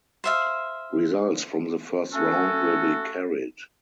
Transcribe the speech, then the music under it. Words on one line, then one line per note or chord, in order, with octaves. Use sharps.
Results from the first round will be carried.
C5 E5 F5
A3 C#4 F#4 A4